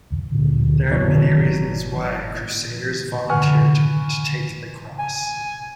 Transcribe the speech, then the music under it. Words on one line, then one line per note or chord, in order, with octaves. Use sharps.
There are many reasons why crusaders volunteered to "take the cross".
G1 B2 E3 F#3 C#5 D5
B4 F#5 G#5 C#6 F6
G#5